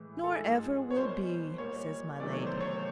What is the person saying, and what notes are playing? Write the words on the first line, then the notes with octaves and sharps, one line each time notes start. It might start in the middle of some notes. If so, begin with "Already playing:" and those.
"Nor ever will be," says my Lady.
Already playing: A2 E3 G#3
A4
G#2 F3 G#3 G#4
C#5
B2 G3 A#3 C5
A#2 G3 A#3 C#5
E2 C3 D#3 F#3 A3 D5
C#5
C5
C#5